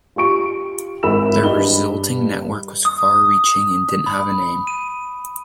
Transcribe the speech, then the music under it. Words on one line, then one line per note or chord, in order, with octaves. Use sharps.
The resulting network was far reaching and didn't have a name.
F4 G4 C#6 D7
G#1 E4 B5 E6 E7
G2 G4 D#5 B5 G7
D#6
B5
D#7